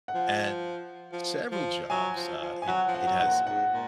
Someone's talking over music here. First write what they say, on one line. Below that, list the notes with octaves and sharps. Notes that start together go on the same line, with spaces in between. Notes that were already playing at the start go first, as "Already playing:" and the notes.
And several jobs, uh, it it has,
F#5
F3
F3
F3
F#3 G#5
F3
F3
G#5
F#3 F#5
F3
F#5
F#3
G#2 F#5
A#2
G#2 F#5
A#2